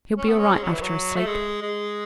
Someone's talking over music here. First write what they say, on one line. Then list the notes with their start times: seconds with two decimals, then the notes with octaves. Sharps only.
He'll be all right after a sleep.'
0.18 C#4
0.28 B3
0.38 C#4
0.55 G#3
0.64 F#3
0.73 E3
0.82 F#3
1.16 A3
1.27 G#3
1.62 G#3